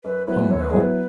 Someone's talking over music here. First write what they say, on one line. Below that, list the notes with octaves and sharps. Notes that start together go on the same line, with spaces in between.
Come, now!
F#2 B4
F#3 B3 E4 B4
F#2 C#5
B4
F#3 B3 E4 G#4
B4